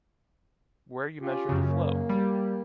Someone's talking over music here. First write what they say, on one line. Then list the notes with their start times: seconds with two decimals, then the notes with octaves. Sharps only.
Where you measure the flow.
1.21 C#4 F4 G4
1.49 F#2 C#3
1.66 A#3
2.09 G3